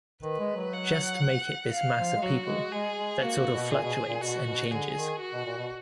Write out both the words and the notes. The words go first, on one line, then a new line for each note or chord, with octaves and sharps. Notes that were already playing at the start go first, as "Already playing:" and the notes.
Just make it this mass of people, that sort of fluctuates and changes.
D#3 B4
G#3
F#3
F#5
F5
F3
G#3
F#3 F#4
G#3
G#3 G#4
G#3
A#3 F#4
A#3
B2
A#2 G#4
B2
A#2
B2 F#4
B2
D3 G#4
D#3
F#4
B2
A#2
B2